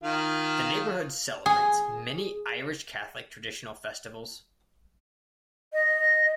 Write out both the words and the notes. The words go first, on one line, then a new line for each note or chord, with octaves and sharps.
The neighborhood celebrates many Irish Catholic traditional festivals.
D#3 F4
G#4
D#5